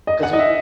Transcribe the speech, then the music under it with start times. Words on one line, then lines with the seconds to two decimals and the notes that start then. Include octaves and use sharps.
'Cause we
0.07 D#5
0.23 F#5
0.33 D#5
0.39 E5